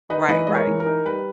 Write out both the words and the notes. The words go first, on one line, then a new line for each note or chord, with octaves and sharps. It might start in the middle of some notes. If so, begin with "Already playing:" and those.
Right, right.
D#4 B4 D#5
E3 B4 D#5
G#3 D#5
A#4 C#5
E3
A#4
D#4
G3 B4